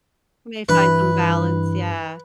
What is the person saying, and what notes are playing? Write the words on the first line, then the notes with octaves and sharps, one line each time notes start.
We may find some balance, yeah.
G2 E3 B4